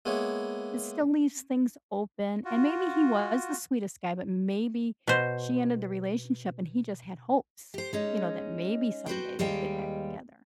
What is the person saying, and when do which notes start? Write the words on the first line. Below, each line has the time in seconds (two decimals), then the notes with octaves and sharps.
it still leaves things open. And maybe he was the sweetest guy, but maybe she ended the relationship, and he just had hopes, you know, that maybe someday they'd get back together.
0.06 G#3 A#3 B3 E4 C#5
2.45 F4 F#4
5.07 B2 C5
7.74 G4 C5
7.93 G#3 C#4 D#4
9.06 F#4 B4 C5 G5
9.39 D#2 G3 G#3 B4 F5 G5